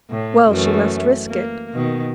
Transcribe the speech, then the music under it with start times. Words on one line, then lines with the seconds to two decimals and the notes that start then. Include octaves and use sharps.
Well, she must risk it.
0.11 A2
0.49 F#2 E3 A3
1.27 A#3
1.74 B2 D#3